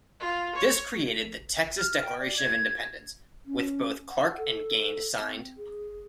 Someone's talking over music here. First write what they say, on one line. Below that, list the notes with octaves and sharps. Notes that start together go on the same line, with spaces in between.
This created the Texas Declaration of Independence, with both Clark and Gained signed.
F4
C#5
F6
G5
D5
G#6
C#4
F#5
A4
C4
G#4